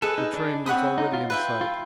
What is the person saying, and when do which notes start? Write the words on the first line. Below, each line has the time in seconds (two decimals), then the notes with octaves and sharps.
The train was already in sight.
0.02 G#4 A4 B4 D#5
0.18 D#4
0.33 D4
0.66 C4 C#5 F#5 B5 D#6
0.98 D#4
1.13 F4
1.30 F4 B4 E5 G5
1.61 F4